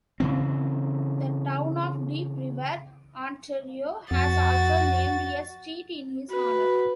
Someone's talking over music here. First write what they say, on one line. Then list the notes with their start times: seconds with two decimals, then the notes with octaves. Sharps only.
The town of Deep River, Ontario has also named a street in his honour.
0.20 C#3 E3 C4
4.11 F2 F#4 A6
6.31 F#4 B4